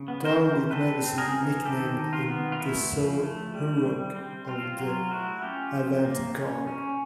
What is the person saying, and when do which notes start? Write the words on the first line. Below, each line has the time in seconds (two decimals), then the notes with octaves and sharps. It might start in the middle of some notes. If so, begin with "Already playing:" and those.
DownBeat Magazine nicknamed him The Sol Hurok of the avant garde.
Already playing: C#3
0.08 B3
0.25 A#4 C5
0.41 C#3
0.71 C4 A4 B4
1.03 C4
1.18 G#4 A#4
1.34 E3
1.66 D#3 G4 A4
1.97 D#3
2.13 F4
2.28 B3
2.52 F4
2.60 A3 E4
2.91 F3
3.23 A3
3.54 G3
3.85 G3
4.16 C4
4.48 C4 F4
4.79 F#3 F4
5.11 A3 E4 F#4
5.42 C#4 F4 G4
5.73 F3
6.05 A#3
6.37 C#4
6.67 C#4